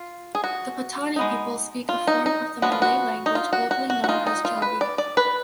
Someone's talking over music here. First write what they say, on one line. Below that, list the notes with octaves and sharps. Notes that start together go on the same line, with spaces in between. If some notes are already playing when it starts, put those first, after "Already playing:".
The Patani people speak a form of the Malay language locally known as Jawi.
Already playing: F4
G#4
F#4
G#3 B3 D#4
F4
D#4
D#4
F3 G#3 B3 D4 F#4
F4
F#4
D#4
F4
F#4
F#4
F#4
F#4
G#3 D#4 F4
D#4
F4
B4
D5
D5
B4